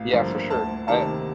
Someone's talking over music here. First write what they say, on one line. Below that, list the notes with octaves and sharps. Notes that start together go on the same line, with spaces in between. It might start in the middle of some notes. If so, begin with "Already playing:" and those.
Yeah, for sure. I
Already playing: A1 F5
G2 D3 F3 A#3
D2 A5
C3 D#3 A#3 A5